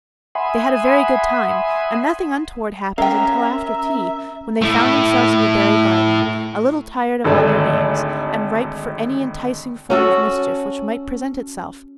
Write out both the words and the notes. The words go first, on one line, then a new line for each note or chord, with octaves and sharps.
They had a very good time and nothing untoward happened until after tea, when they found themselves in the Barry garden, a little tired of all their games and ripe for any enticing form of mischief which might present itself.
E5 F#5 G#5 B5 C6 D#6
C#4 A#4 E5 F5 G5
A3 E4
G#1 D2 A3 A4 D5 G#5
C#4 F#4 A4